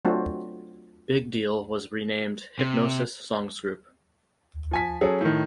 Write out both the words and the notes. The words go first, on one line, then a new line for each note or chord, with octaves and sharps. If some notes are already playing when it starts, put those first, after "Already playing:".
Big Deal was renamed Hipgnosis Songs Group.
F#3 A3 C4 D4 F4 F#4
C3
F3 G#5 B6
F#3 C#4 G#4 A4
A2 D#3